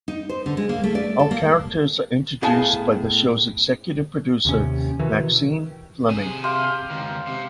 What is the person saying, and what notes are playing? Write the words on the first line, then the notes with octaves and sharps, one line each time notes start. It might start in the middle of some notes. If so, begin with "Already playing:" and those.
All characters are introduced by the shows executive producer Maxine Fleming.
D#4
C5
D3
G#3
A#3
A3
D5
A4
A#3
A2 B3 G#4 F5 G#5 A5
D#2 C3 C#4
B2 D#3 E3
C3 G#4
G4 F5 C6
C#2 D#3
C3